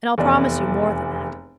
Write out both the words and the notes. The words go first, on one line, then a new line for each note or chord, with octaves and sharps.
And I'll promise you more than that.
F1 E2 D5